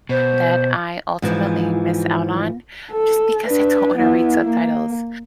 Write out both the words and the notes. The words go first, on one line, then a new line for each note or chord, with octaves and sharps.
that I ultimately miss out on just because I don't wanna read subtitles.
B2 C5
G#2 E3 F3
A4
D4 B4
B3 E4
A#3